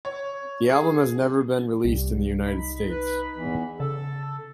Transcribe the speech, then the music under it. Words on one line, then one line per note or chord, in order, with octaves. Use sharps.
The album has never been released in the United States.
C#5
G#4
C2 G3
D#4 B5
B4
E2 E3
C#3 A4 A5